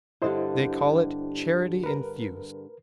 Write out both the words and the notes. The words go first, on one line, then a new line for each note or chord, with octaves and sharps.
They call it "charity infused."
G2 D3 G3 E4 C5 D#5
A#4 B4